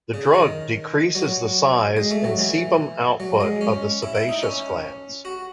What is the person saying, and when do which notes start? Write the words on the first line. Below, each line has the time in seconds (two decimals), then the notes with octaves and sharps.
The drug decreases the size and sebum output of the sebaceous glands.
0.14 C#3
0.34 D#3
1.15 F#3
1.97 G#3
2.11 A3
2.24 F#3
2.38 E3
3.20 F#3
3.41 G#3
3.61 C#4
4.02 E4
4.15 E4
4.29 D#4
4.43 C#4
5.25 F#4